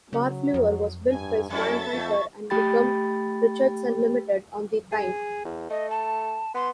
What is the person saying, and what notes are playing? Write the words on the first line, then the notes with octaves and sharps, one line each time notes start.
"Barfleur" was built by Swan Hunter and Wigham Richardson Limited on the Tyne.
C#3 F#3
F2
G2 G#5
F#2 G3 C#4 E4 A4 E5 A6
F2 A3
A3 G4 G5 B5 A6
G#4
E2
A3 D#5
A5
B3 C6